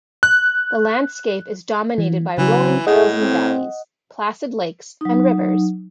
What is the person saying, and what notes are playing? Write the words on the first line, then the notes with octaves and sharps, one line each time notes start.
The landscape is dominated by rolling hills and valleys, placid lakes and rivers.
F#6
E3
C#3 E3 F#3
A2 G#4 D#5 F#5
C4
F#3 D#4